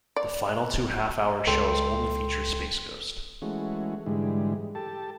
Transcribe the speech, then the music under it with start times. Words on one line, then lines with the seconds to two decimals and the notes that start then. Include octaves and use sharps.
The final two half-hour shows only feature Space Ghost.
0.16 D5
1.47 C#2 A4 G5 C6
3.42 E3 G#3 A3 C#4 F#4
4.06 G#2 D3 E3 G3 G#3
4.75 G4 A4 A5